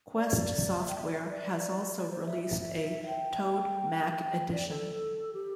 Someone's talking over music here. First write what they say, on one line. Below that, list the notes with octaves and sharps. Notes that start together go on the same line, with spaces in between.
Quest Software has also released a Toad Mac Edition.
D5
E5
G5
E5
D5
E5
D5
C5
E5
E5
E5
G5
D5
A4
G4